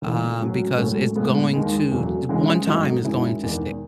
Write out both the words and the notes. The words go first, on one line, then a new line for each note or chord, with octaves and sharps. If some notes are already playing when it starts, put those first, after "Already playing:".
uh, because it's going to the one time it's going to stick,
C#2 C#3 E3 A3
A2 F#3 C#4
A2 F#3 A3 C#4
A2 G#3 B3
D#2 D#3 G#3
E2 C#3 F#3 A3
C#2 C#3 E3 G#3 C#4
G#2 F#3 A3 D#4 F#4
F#2 D#3 G#3 C#4 E4
E1 E2 D#3